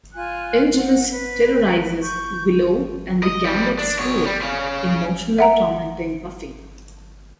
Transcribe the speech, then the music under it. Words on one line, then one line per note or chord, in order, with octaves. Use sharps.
Angelus terrorizes Willow and the Gang at school, emotionally tormenting Buffy.
F4 G#5 F#6
F#5
B4
C#6 G6
D#5
F2 G3
D4
B2 C#5
G3
C#4 F5
E5 F#5 A#5